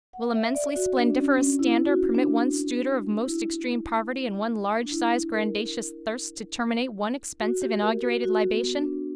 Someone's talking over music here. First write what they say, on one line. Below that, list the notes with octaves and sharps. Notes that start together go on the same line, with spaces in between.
Will immensely splendiferous stander permit one stooder of most extreme poverty and one largesize grandacious thirst to terminate one expensive inaugurated libation?
F#5
E5
D5
F#4
D4
C#4
C#4
E4
F#4
D4
E4
D4
E4
A#4
F#4
G4
A#4
F#4
F#4
B3
D4